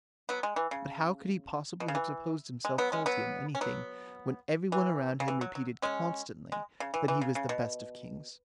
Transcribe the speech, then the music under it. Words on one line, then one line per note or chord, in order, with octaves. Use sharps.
But how could he possibly have supposed himself faulty in anything when everyone around him repeated constantly that he was the best of kings?
F#3 B3
G#3
E3
C#3
B2
C#3
E3
G#3
F#3 B3
G#3 C#4
F#3 B3
C#4
F#3 B3
E3
C#3
E3
F#3
F#3
G#3 C#4
G#3
C#3
E3
E3
C#3
C#3
B2